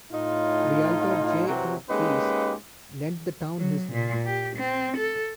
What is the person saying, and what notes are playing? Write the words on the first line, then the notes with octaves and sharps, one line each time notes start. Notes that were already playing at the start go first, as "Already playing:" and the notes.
Realtor J. O. Treece lent the town his name.
A2 D#4 F4
C3 E3 F#3
G#3 A#3 C#4 D#4 G4 B4
F#3
A#2
G4
C4
A4